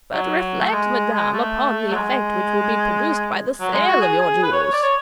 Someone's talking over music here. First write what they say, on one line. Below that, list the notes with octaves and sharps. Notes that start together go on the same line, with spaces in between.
"But reflect, madame, upon the effect which will be produced by the sale of your jewels."
F#3
A3
G#3
G#3
A3
F#3
G#3
F#3
G#3
F#4
G#4
G#4
B4
C#5
C#5
D5
C#5